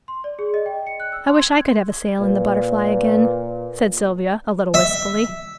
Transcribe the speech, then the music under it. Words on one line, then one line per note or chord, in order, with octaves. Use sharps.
"I wish I could have a sail in the Butterfly again," said Sylvia, a little wistfully.
C6
D5
G#4
D#5
G5
C#7
F#6
E6
C6
G#6
A#2 B4
E5